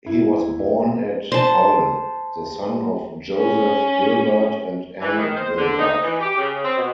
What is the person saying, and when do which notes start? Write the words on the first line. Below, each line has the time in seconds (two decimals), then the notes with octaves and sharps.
He was born at Hull, the son of Joseph Gilbert and Ann Gilbert.
0.06 E4
1.32 C5 A5
3.36 C#4
5.01 E3
5.17 D#3
5.36 C5
5.57 D3
5.79 D#4
6.02 E3
6.20 G4
6.38 C#3
6.64 C4
6.76 B2